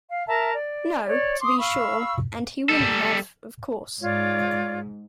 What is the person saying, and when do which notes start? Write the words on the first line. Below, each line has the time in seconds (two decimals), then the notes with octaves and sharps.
No, to be sure, and he wouldn't have, of course.
0.09 F5
0.27 A#4 E5 A5 A#5
0.52 D5
1.06 C#5 D5
1.41 C6 D6 D#6
1.58 F5 B5 C#6 E6
2.69 G3 A4
4.01 G#2 F4 C#5 D5